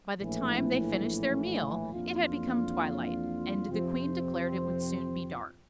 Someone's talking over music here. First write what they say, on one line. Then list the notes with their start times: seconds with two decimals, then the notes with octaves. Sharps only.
By the time they finished their meal it had become twilight, and the Queen declared it would soon be dark.
0.17 A#1 A2 E3
1.92 F2 E3 A#3 D4 F4
3.68 F2 C3 F3 C4